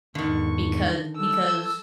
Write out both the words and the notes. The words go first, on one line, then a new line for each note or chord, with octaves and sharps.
becau because
E2 G#2 D3 D#3 C#6
A4 E6